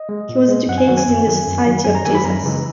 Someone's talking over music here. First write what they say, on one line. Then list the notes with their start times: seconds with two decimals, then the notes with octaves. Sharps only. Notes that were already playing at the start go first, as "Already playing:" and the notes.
He was educated in the Society of Jesus.
Already playing: D#5
0.09 G#3
0.29 A#2
0.48 G#3
0.68 F#2 F#5
0.78 G#5
0.87 D#3 F#3 F#5
0.97 G#5
1.07 F#2
1.26 D#3 F#3
1.47 F#2
1.66 D#3 F#3
1.85 F#2 G#5
1.95 A#5
2.05 D#3 F#3 G#5
2.15 B5
2.24 F#2 A#5
2.44 C#3 E3 G#3